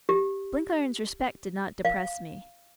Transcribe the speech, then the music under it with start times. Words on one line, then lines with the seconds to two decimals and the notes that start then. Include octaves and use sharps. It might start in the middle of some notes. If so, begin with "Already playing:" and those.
Blenkiron's respect did not depress me.
0.09 G4
1.85 F5